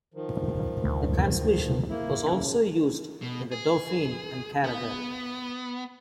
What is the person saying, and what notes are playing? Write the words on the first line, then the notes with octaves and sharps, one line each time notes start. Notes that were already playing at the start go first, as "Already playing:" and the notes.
The transmission was also used in the Dauphine and the Caravelle.
D#3 F3
D2
A#3 E4
C#3
B2
G#4
B3